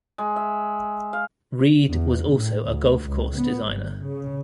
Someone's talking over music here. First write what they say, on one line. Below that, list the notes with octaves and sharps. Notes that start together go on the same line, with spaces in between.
Reid was also a golf course designer.
G#3
E5
F5
E2
A2
D2
C#2
B3
G1
C#3